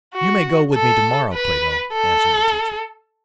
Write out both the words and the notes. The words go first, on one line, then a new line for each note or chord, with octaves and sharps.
"You may go with me to-morrow, Plato," answered the teacher.
F#4
A4
B4
A4